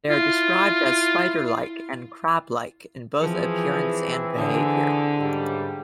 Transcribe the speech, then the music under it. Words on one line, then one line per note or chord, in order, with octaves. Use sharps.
They are described as "spider-like" and "crab-like", in both appearance and behavior.
E4 F4
E3 F3 C4 G#4
D3
G#2 C#3 G3